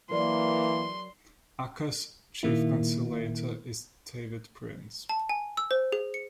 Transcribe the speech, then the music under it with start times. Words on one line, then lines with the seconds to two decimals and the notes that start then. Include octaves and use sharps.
Acas' chief conciliator is David Prince.
0.10 E3 F#3 A#3 A#4 D5 C6
2.43 A#2 D#3 A#3 E4
5.09 A5
5.29 G#5
5.57 E6
5.71 C5
5.92 G#4
6.14 C#7